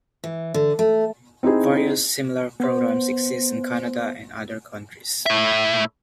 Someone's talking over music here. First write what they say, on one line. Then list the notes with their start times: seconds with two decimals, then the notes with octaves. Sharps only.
Various, similar programs exist in Canada and other countries.
0.24 E3
0.54 D3
0.79 A3
1.43 C4 D#4 E4 G#4
2.60 B3 C5
5.26 A2 E5